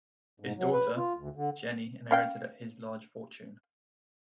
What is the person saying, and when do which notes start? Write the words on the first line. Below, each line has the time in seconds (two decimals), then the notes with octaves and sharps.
His daughter, Jennie inherited his large fortune.
0.40 G#2
0.58 F#3
0.72 B4
0.97 F4
1.17 D2
1.36 D3
2.11 C#4 F5 G5